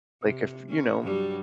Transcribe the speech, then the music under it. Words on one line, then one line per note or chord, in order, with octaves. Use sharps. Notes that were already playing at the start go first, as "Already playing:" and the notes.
Like, if you know,
C3
C#4
G2 F#3 G3